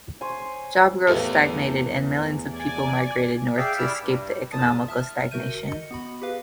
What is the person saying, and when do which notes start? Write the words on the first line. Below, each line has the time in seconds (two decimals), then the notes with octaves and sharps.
Job growth stagnated and millions of people migrate North to escape the economic stagnation.
0.21 C5 C#5 G#5
1.07 E2 A2 F3 G4 A4 B4
2.53 D5 G#5
3.57 G#4 D5 E5 F5 G5
3.78 G3 E4 D5 E6 F6
4.01 G2
4.52 E2 A#2 A5 D#6
4.88 E5 A5 F6
5.31 D3 F#4 A#4 E5 G6 D#7
5.67 D#5 C#7
5.91 B3 F#4 B5
6.22 G4 G#4 B4 F5